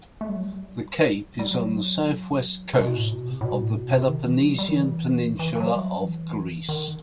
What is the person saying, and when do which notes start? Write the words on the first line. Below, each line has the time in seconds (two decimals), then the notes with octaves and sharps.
The cape is on the south-west coast of the Peloponnesian peninsula of Greece.
0.21 A3
0.29 G3
0.36 F#3
0.43 G3
1.39 G3
1.51 F#3
2.74 C3
2.81 B2
2.97 A2
3.13 B2
3.29 C3
3.41 A2
3.45 B2
3.61 A2
3.77 B2
3.93 C3
4.09 D#3
4.26 E3
4.42 F#3
4.58 G3
4.69 D#3
4.74 E3
5.39 E3
5.55 E3
5.60 F#3
5.73 G3
5.82 F#3
6.04 E3
6.69 D#3